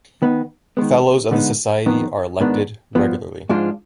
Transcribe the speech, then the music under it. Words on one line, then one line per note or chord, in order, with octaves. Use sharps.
Fellows of the Society are elected regularly.
D#3 B3 D#4
D#3 G#3 B3
D3 G#3 B3 D#4
F2 D#3 B3
G#2 D#3 B3 D4
G2 F3 B3
G#2 F3 G#3 D4 F4